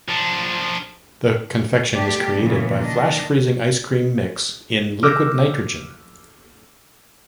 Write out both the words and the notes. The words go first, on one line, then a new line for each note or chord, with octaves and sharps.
The confection is created by flash freezing ice cream mix in liquid nitrogen.
F3 D4
B2 G3 A3 D4 G4 D5
A#2 C#3 E3 F3 G#3 B3
D#3 D4 D#5
D6 E6 F6 G6 A#6